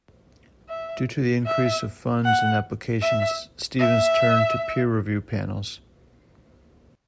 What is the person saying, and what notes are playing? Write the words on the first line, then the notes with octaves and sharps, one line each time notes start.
Due to the increase of funds and applications Stevens turned to peer review panels.
E5
E5
F#5
E5
E5